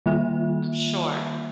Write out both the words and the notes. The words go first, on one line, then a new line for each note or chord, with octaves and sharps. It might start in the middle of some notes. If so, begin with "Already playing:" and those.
I'm sure.
D#3 G3 A#3 F4 E5